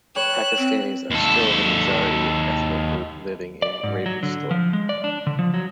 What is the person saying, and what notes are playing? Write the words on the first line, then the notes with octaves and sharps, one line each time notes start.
Pakistanis are still the majority ethnic group living in Ravensthorpe.
B4 C#5 G5 F#6 E7
C4
D#2 A4
D5
G#2
F#3
D3
F3
G#3
D5
D4
D3
F3
F#3